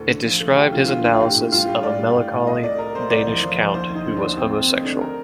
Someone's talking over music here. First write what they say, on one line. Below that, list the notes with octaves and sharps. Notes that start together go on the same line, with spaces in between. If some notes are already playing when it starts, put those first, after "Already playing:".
It described his analysis of a melancholy Danish count who was homosexual.
Already playing: D2 A2 A4
D3
F3
A3
F3 G4
D3 F4
D3 F4
D3 F4
A2 G4
A2
G3 F4
G3 G4
A2 D5
G3
A2
A2
C2 D#5
A3 D5
A3 A#4
A3 C5
C2 D5
F3
F3
F3
D#2 C5
D#2
D#4
D3
D#2 D4
D#2 C4
D#2 C4
A3 C4
D3 D4
A#4